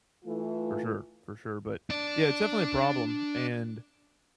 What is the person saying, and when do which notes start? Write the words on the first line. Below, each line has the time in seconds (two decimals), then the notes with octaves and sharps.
For sure. For sure, but, yeah, it's definitely a problem, and
0.25 E3 A3 F4
1.90 D4 D5